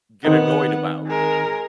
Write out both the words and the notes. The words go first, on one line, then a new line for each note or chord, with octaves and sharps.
get annoyed about,
D#3 B3 C4 D#4 F#5
G#3 A#4